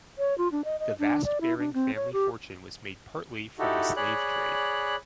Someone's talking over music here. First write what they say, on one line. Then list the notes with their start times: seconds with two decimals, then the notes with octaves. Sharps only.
The vast Baring family fortune was made partly from the slave trade.
0.18 C#5
0.38 F4
0.52 D4
0.64 D#5
0.79 D#5
0.99 D4
1.24 D5
1.41 E4
1.58 D4
1.73 C4
1.95 C#5
2.13 G4
3.59 D#4 E4 F#4 G4 A4
3.96 G#4 C#5 D5 B5 F#6